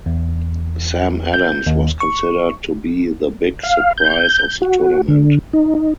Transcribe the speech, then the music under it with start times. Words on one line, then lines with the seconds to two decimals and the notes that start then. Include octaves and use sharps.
Sam Adams was considered to be the big surprise of the tournament.
0.06 E2
1.34 G6
1.66 D#2
2.00 C#6
3.63 F5
3.98 G6
4.62 F#4
5.08 D3
5.53 D#4
5.75 D#4